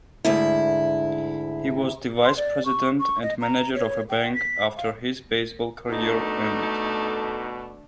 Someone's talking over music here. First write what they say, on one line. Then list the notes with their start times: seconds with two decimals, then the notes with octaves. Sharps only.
He was the vice-president and manager of a bank after his baseball career ended.
0.25 D2 G#2 E4
2.24 C6
2.37 D5
2.66 C#6
3.00 C#6
3.22 D#5
3.41 A#5
3.75 C#5
4.09 G5
4.34 B6
4.77 F5
5.90 B2 A3 D4 D#4 A4